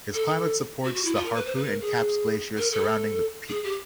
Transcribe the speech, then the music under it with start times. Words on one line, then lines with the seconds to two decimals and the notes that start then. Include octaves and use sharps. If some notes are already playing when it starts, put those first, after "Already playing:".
This climate supports the Harpoon and Capps Glaciers surrounding the peak.
0.14 A4
0.84 F#4
0.95 F#4
1.05 E4
1.15 F4
1.25 A#4
1.35 B4
1.45 C5
1.55 B4
1.66 A#4
1.81 G#4
2.57 A#4
2.72 A4
3.48 G#4
3.64 G4